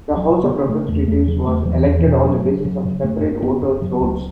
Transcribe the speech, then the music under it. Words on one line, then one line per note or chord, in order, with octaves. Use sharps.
The House of Representatives was elected on the basis of separate voters' rolls.
C#2
F#3
C#3
B3
C#3
C#3 A3
E2 A3
E2 A3
C#3 F#3
E2 A3
E2 F#3
E3
E2
E3
B2
F#2 F#3
C#3
F#2 F#3
C#3
F#2 A3
F#2
C#3 B3
F#2
C#3 F#3
C#2